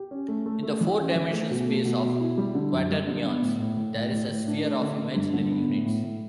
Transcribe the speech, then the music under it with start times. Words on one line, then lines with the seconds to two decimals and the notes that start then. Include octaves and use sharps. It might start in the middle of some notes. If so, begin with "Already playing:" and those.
In the four-dimensional space of quaternions, there is a sphere of imaginary units.
Already playing: G4
0.11 C#4
0.28 A3
0.46 A3
0.63 A3
0.81 E3
0.98 C#4
1.15 E3
1.33 A3
1.50 B2
1.68 A3
1.85 B2
2.03 B2
2.20 E4
2.38 G3
2.55 D3
2.72 F#2
2.90 G3
3.07 D3
3.25 B3
3.42 A2
3.59 A2
3.77 A2
3.94 A2
4.11 A2
4.29 A2
4.47 D4
4.64 A3
4.81 D3
4.98 D3
5.16 G2
5.34 D3
5.51 B3
5.69 A2
5.86 A2
6.03 A2